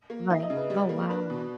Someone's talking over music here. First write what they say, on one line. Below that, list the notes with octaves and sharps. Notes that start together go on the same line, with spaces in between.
Right. Oh, wow.
A#3
D#4 E5
D#5
C#3
B4
G3
A#3
D4 B4
B2